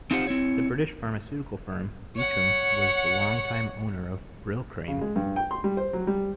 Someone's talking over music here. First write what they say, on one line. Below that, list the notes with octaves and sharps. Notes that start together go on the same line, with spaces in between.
The British pharmaceutical firm Beecham was the longtime owner of Brylcreem.
C4 D#4 F4 G4 C5 F#5
C4 E4 C#5
C#5 F#5
C#3
G#3
G2
G5
C6
G3
C5
F#3
G3